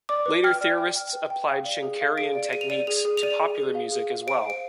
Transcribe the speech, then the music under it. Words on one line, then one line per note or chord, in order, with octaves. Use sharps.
Later theorists applied Schenkerian techniques to popular music as well.
D5 D6
B4
G5 F6
D5
G5
G5
B4
G5
F5
D5
G#4
F5
G#4 D7
D5
G#4 D#7
F7
D5 D#7
G#4 F7
G#4
F7
D5 D#7
G#4
G#4
F5
G#4
F5
C5 D7
F5
D7